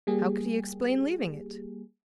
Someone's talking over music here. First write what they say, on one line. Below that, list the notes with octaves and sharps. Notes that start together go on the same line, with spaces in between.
How could he explain leaving it?
G3 A#3 G4 G#4